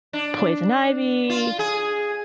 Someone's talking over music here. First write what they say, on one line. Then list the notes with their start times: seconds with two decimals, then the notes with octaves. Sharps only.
poison ivy,
0.13 D4
1.30 F4
1.59 G#4